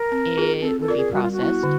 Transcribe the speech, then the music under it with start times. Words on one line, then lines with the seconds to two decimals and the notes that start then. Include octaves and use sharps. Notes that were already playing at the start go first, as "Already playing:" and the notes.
it would be processed,
Already playing: A#4
0.12 C4
0.37 F4 G#4
0.63 C4 A4
0.80 A4
0.88 F4 A#4 D5
0.97 G#4
1.13 G3 F#4
1.23 F4
1.32 F#4
1.38 B3 E4
1.63 D3